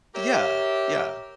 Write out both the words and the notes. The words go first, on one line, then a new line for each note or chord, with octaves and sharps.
Yeah. Yeah.
G4 A#4 C#5 E5